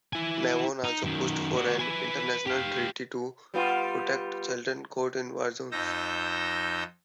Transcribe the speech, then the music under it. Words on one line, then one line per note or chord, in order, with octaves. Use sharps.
Navon also pushed for an international treaty to protect children caught in war zones.
E4 G#5
D#4
F#2 D#3
F#4 D5
B4 G#5
G4 F5
G3 B3 F4
F2 D#4 E6 G6 A#6